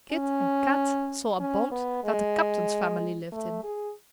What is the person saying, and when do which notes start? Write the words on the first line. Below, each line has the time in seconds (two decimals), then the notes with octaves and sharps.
Kit and Kat saw a boat that the Captain's family lived in.
0.12 C#4
1.40 C#4
1.72 B3
2.04 G#3
3.32 A3
3.64 G#4